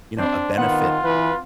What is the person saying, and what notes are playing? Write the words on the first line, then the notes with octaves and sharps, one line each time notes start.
you know, a benefit
C4 D4
D#3 B3 F4 F#5
E3 B4